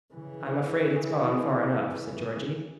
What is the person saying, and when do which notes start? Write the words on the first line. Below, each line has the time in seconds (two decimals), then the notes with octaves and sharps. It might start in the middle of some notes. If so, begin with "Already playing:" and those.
"I'm afraid it's gone far enough," said Georgie.
0.14 C#3 E3